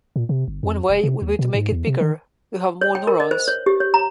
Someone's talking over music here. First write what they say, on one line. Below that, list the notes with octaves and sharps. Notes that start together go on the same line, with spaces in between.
One way would be to make it bigger, to have more neurons.
A#2
C3
G1
F2
F1
C3
D#2
B2
G#2
E2
C3
D#3
C#5
G5
A#4
D#5
C5
C#5
G4
C#5
A#5